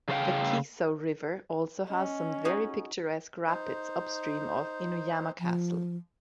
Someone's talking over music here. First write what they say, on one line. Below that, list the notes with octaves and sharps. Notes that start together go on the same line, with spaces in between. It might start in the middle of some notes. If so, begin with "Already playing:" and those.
The Kiso River also has some very picturesque rapids upstream of Inuyama Castle.
C#3 A4 C5 F5 G5
C#4 D#5
D#4 F#4 G#4
D#4 C5
F3